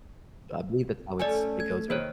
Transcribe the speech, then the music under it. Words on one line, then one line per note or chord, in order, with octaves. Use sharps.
I believe that's how it's it goes or
A3 C#4 A4 D5 G#5
G#6
D#3 A#3 C5 C#5